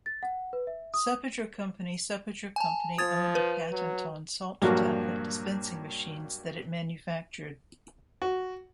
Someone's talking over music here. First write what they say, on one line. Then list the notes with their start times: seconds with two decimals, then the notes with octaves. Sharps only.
Suppiger Company Suppiger Company owned a patent on salt-tablet dispensing machines that it manufactured.
0.06 A6
0.23 F#5
0.53 B4
0.67 E5
0.94 D#6
2.56 G#5 A5
2.98 F3 D#6 G#6 A6
3.35 B4
3.72 F#3
4.62 G2 A#2 F3 F#3 A#3 F#4
8.22 F#4